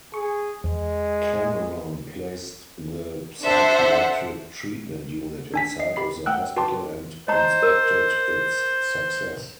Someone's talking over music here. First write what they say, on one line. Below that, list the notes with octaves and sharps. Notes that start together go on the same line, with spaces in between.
Cameron placed the psychiatric treatment unit inside of the hospital and inspected its success.
G#4 C#6
E2 G#3
D4 A4 C5 E5 F#5 C6
D4 G#5 B6
D#5 C7
G4 B5 C7
A3 F#5 G5 E6 F#6
F#4 B4 G5 A5 C6 D6
C5 D#5 A#5
A#4